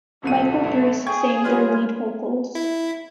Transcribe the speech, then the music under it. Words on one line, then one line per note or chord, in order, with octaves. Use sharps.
Michael Bruce sang their lead vocals.
D#1 C2 A3 D#7
A1
G#4 G5 C#6 G#6
G3 F4 A#4 B4 C#5
E4